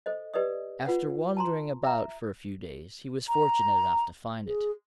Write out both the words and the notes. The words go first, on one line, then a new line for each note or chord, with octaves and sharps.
After wandering about for a few days, he was fortunate enough to find it.
A4 C5 D#5
G4 B4 D5 D#5 D#6
F4 B4 F#5
A5 A#5 C6
E5 A#5
A#5
G#4